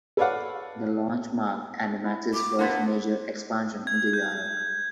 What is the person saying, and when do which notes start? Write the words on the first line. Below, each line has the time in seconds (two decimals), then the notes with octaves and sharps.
The launch marked Animax's first major expansion into Europe.
0.17 A4 B4 C#5 D5 F5 F#5
2.05 E4
2.34 D6
2.59 A#3 B3 D4 E4 F#5 C6 B6
3.87 G#6
4.13 G6